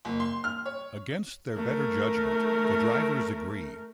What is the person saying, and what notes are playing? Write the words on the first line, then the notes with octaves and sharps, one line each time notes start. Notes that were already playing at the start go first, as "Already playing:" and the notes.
Against their better judgement, the drivers agree.
F#1
C6
F6
C#5
A3 A#4